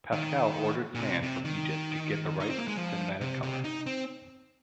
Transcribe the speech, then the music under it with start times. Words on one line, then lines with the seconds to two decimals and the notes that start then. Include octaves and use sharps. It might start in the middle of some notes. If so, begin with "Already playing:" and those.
Pascal ordered sand from Egypt to get the right cinematic color.
0.13 D#3
0.95 A#2
1.00 C3
1.23 C3
1.45 D#3
2.41 D#4
2.50 C4
2.58 A#3
2.68 G#3
2.77 F3
3.21 C3
3.43 C3
3.64 D#4
3.86 C4